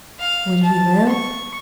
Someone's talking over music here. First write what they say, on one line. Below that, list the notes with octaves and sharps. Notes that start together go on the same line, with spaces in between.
Would he live?
F5
A5
C#6